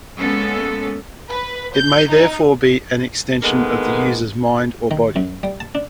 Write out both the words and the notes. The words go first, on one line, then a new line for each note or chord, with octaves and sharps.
It may therefore be an extension of the user's mind or body.
G#3 A#3 B3 C#4 A4
B4
G6
D#4
D3 D#3 G#3 A#3 B3
D#3
F#2
G3
A5
D4